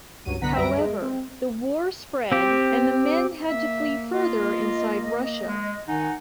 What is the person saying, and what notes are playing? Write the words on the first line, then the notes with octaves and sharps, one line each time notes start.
However, the war spread and the men had to flee further inside Russia.
C#2 G2 F#3 D#7
C2 D3 B3 F#5 A#5 B6
F#2 G3 B4 E5 A#6 D7
G#3
C4
C4 G4
A#3 E5
F4 D#5
G#3
D#3 D#4 F#5 G#5